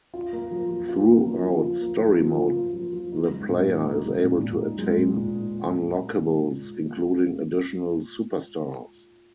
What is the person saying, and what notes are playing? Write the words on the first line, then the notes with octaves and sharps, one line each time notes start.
Throughout Story Mode, the player is able to attain unlockables, including additional superstars.
F4
A#3
F3
F3
F4
A#3
F3
F3
F4
A#3
F3
F3
F4
A#3
F3
F3
D#4
G#3
A#2
A#2
D#4
G#3
A#2
A#2
D#4
G#3
A#2
A#2